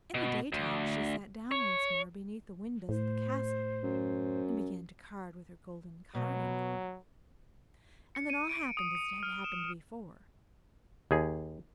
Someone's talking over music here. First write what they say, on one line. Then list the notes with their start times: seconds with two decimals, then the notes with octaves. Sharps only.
In the daytime she sat down once more beneath the windows of the castle, and began to card with her golden carding-comb; and then all happened as it had happened before.
0.14 B2
0.52 D2
1.51 C#5
2.89 A2 C5
3.83 F#2
6.15 B2 F#3
8.15 C#7
8.30 D#7
8.49 D7
8.77 D#6
8.95 C#7
9.23 F6
9.44 E7
11.11 D#2 G#4